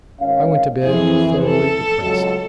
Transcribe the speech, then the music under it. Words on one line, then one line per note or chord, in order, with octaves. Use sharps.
I went to bed thoroughly depressed.
G#1 C#4 F5
F2 E3 C4 G#4
A4
C#2 F#3